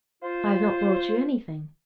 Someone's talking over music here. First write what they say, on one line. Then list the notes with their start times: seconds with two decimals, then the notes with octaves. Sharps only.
'I've not brought you anything.
0.23 F4 C5